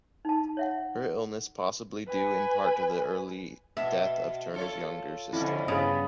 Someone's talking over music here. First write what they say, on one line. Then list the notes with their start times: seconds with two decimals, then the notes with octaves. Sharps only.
Her illness possibly due in part to the early death of Turner's younger sister.
0.25 D#4 A5
0.57 C#5 E5 F#5
2.08 B4 G#5
3.77 B2 E5
4.54 F4 A4 C#5
5.33 F2 D3 C#4 E4
5.68 G2 C#3 B3 G#4 B5 D#6